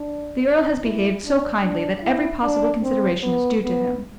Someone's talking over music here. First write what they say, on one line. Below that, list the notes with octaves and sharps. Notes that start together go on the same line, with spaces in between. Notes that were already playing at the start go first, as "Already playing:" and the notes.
The earl has behaved so kindly that every possible consideration is due to him.
Already playing: D4
E4
D4
D4
E4
D4
C4
B3
B3